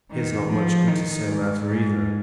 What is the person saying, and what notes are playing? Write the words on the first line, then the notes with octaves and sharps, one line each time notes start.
"He has not much good to say about her either."
D#3
F3
D#3
G#2
G#2